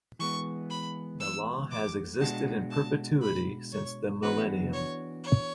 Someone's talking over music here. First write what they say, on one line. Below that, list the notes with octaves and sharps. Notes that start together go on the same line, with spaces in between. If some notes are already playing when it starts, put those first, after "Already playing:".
The law has existed in perpetuity since the millennium.
E3 G#3 B3 C#6
B5
E6
D6
B2 G#3 D4 F#4 A5
A5
B5
C#5
E3 B3 D4 F#4 B4
C#5
C#5